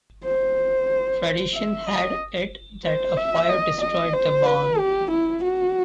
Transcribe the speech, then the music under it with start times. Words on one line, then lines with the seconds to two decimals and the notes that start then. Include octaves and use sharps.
Tradition had it that a fire destroyed the barn.
0.24 C5
1.54 E5
1.87 D#5
2.84 C5
3.17 E5
3.49 D#5
3.81 D#5
4.14 C5
4.46 B4
4.78 G4
5.11 E4
5.43 F#4